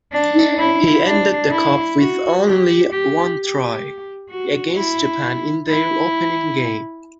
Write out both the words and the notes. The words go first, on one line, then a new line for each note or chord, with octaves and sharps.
He ended the cup with only one try, against Japan in their opening game.
D4
E4
D4
E4
F#4
G4
G4
G4
F#4
E4
E4